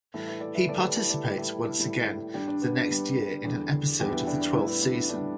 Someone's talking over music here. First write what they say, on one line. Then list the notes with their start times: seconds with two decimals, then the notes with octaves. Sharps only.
He participates once again the next year in an episode of the twelfth season.
0.14 A2 E3 G3 E4 A4
0.28 B4 E5
0.41 A4 D5
0.55 B4 E5
0.69 A2 E3 G3 A4 D5
0.83 G4 B4
0.96 E4 A4
1.10 A4 D5
1.24 A2 G3 G4 B4
1.38 E4 A4
1.65 E4 A4
1.79 A2 G3
2.34 G2 G3 D4 G4
2.48 D4
2.62 B3
2.75 D4
2.89 G2 G3
3.44 E2 D3 G3
3.99 E2 D3 G3 D4 G4
4.13 B3 E4
4.27 D4 G4
4.41 D4
4.54 A2 G3 B3 E4
4.68 B3 E4
4.82 D4
4.96 B3
5.09 A2 G3 D4